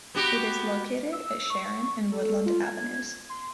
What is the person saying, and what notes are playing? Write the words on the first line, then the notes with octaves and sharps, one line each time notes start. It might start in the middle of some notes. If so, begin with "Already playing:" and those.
It is located at Sharon and Woodland Avenues.
B3 F#4 G4
E6
C#6
A4
F4
G#6
C6